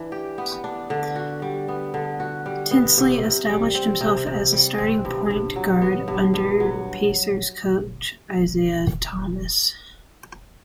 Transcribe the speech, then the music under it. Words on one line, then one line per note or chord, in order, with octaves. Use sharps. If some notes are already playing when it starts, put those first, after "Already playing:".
Tinsley established himself as the starting point guard under Pacers coach Isiah Thomas.
Already playing: E3 D4
G4
B3
D4
D3
F#4
G3
B3
D3
F#4
G3
B3
C3
C3
G3
C4
C3
C3
G3
C4
G2
G2
F#3
B3
G2
G2
F#3